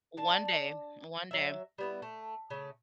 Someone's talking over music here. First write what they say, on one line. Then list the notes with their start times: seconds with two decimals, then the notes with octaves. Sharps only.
one day, one day.
0.17 D4 A5
1.31 F#3 E5
1.78 G3 B3 E4
2.02 A3
2.50 C#3 A3